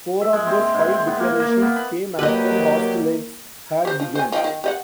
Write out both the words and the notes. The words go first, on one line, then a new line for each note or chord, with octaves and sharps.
Four of those five declarations came after hostilities had begun.
E5
G#3
C4
C4
G#2
C4
B3
A#3
A#3
B3
B5
A#2 F#3 A#3 G4 B4 D#5
G4 C5
F3
C5 G#5
F3 D#4 G5
D#3
G4 D#5 F#5